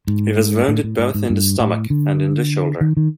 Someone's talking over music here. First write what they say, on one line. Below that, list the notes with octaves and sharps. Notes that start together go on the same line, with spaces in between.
He was wounded in both the stomach and in the shoulder.
G#2
A2
A2
G#2
G#2
G2
A2
D3
D#3
D#3